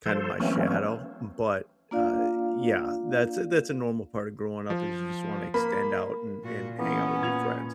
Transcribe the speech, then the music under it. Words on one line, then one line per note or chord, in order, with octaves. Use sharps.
kinda my shadow. But, uh, yeah, that's a that's a normal part of growing up, is you just wanna extend out and and hang out with your friends.
F3 A4 C5
E3 F#3 A3 A#3 C4 C#4
A#3 D4 F4 D5 F5
F3
A#3 B5
A#2 F#4
E3 A#3 B3 C#4
A#2 G#6 F7